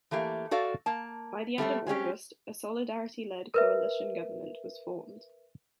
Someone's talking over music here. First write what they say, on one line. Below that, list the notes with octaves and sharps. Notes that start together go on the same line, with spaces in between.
By the end of August, a Solidarity-led coalition government was formed.
E3 A3 A#3 G4
F#4 A4 D5 F5
A#3 A5
G3 A3 A#3 C4
G#3 C4 C#4 G4
A#4 B4 E5